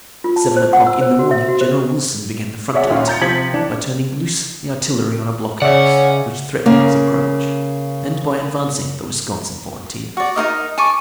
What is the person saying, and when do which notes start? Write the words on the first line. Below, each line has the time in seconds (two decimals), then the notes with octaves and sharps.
At seven o'clock in the morning General Wilson began the frontal attack by turning loose the artillery on a block-house, which threatened his approach, and by advancing the Wisconsin Volunteers.
0.24 F4
0.36 A5
0.57 C5
0.73 F#5
0.87 E6
1.01 C5
1.19 F#4
1.31 E5
1.48 F#4
1.61 C5
2.74 G#4 C#5 D5 E5 F#5
2.90 A#1 D#2 A#2 C#4 F5
3.08 A#5 G6 A6 C#7
3.21 C3 F3 C5 G#6 B6 F#7
3.53 E3 D4
5.62 C#3 C#4 D5 E5 F#5
6.66 C#3 A#3
10.17 F#4 D5
10.36 D#4 F4 A#4 D#5
10.78 G#5 A5 C#6 D6